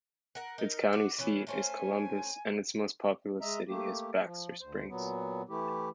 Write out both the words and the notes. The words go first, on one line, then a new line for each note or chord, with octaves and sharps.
Its county seat is Columbus, and its most populous city is Baxter Springs.
A#4 F#5
D#4 A#4
F#4 D6
E3 B3 C#4
A3 C#4 C5 G#5
G#3 D#5 E5 A#5
A3 A#3 G4
F3
D2 C5
A#2 F#3 B3
E3 A3 E4 G4